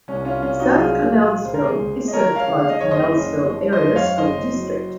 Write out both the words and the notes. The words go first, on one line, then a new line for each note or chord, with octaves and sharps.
South Connellsville is served by the Connellsville Area School District.
C2 C#4
C#4 F4
C2 C#4 F4
D#4 F#4
F#3 F4 G#4
A#2
C#2 C5
A#4
G#4 C5
C#2
D#5
F3 A#4 C#5
C#5 F5
C#3
F5
D#5
F#1 C#5
C5 D#5
F#1
F3
C5 D#5
F#2
C#5 F5
F#1 C5 D#5
F#3